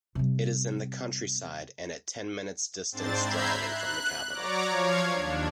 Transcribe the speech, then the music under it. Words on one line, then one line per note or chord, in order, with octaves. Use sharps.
It is in the countryside and at ten minutes distance driving from the capital.
C3 G3
G#2 C4 D4 C5 A6
E5 A#5 B5 G6 G#6 C7
F#6
F#3 C#5 D5 A#5 D6
F3 C#5 F5 G#6
D#2 D4